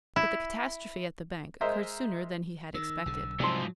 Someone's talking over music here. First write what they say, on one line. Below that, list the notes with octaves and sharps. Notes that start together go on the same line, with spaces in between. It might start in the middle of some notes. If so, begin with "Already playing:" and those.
But the catastrophe at the bank occurred sooner than he had expected.
E4
G#3 A#4 C5 D#5 E5
D#3 E6
B1 D3
C2 G#2 F3 F#3 A5 C6